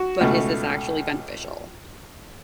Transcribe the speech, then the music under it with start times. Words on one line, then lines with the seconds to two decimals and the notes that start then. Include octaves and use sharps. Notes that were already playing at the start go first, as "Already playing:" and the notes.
but is this actually beneficial?
Already playing: F#4
0.21 C#2 B2 A3